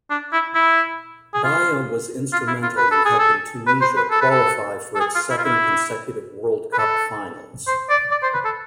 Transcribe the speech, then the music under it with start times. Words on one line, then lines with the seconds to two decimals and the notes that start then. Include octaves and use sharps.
Baya was instrumental in helping Tunisia qualify for its second consecutive World Cup finals.
0.10 D4
0.33 E4
0.55 E4
1.34 G#4
1.44 F4
2.33 F4
2.48 E4
2.63 F4
2.77 B4
2.92 A4
3.05 G#4
3.19 A4
3.67 B4
3.81 C5
3.97 B4
4.11 A4
4.21 B4
4.31 A4
4.96 A4
5.00 G#4
5.15 F4
5.30 E4
5.38 F4
5.45 E4
6.73 B4
6.79 A4
7.68 C5
7.90 D5
8.12 D5
8.23 C5
8.34 B4
8.45 A4